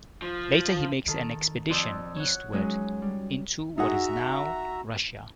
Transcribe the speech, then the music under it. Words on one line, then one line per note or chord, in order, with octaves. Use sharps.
Later, he makes an expedition eastward into what is now Russia.
F3
D#3 A4
F2 D5 C6 D#6 E6 G6
C#5 F#5
F#3 G#3 C#4 D#4
G3
D#4 F#4 G#4 E5 F#5 A#5